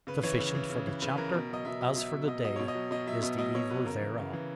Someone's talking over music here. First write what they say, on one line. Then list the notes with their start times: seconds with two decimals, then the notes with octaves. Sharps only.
Sufficient for the chapter, as for the day, is the evil thereof.
0.07 C#3 B4
0.23 E3 C#5
0.39 C#3
0.55 E3
0.70 C#3
0.87 E3
1.02 C#3 B4
1.17 E3 A#4
1.34 B2
1.50 F#3 D#5
1.65 B2 E5
1.80 F#3 D#5
1.96 B2 E5
2.12 F#3
2.28 B2 D#5
2.44 F#3 D#5
2.56 B2 C#5
2.68 D#5
2.75 F#3
2.91 B2 D#5
3.07 F#3 E5
3.23 B2 D#5
3.38 F#3 D#5
3.55 B2 C#5
3.70 F#3 B4
3.85 C#3 A#4
4.01 E3
4.18 C#3
4.33 E3